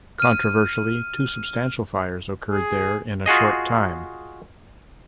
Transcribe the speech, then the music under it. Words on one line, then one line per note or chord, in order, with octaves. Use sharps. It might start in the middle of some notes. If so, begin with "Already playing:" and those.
Controversially two substantial fires occurred there in a short time.
F6 D#7
G#4
F4 F#4 G#4 D#5